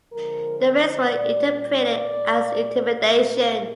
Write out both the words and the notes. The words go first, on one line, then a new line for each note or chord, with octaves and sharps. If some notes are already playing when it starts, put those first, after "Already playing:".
The raids were interpreted as intimidation.
D3 F3 G#3 A#4
C5
A#2 G3 D5
D5
A#2 G#3
A#2 G#3 A#4